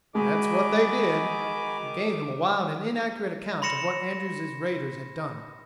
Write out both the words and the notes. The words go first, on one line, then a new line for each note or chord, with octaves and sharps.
"That's what they did!" He gave them a wild and inaccurate account of what Andrews' raiders had done.
D#3 G#3 F#4 G#5 B5 D6
B5 C6 A#6 C#7 E7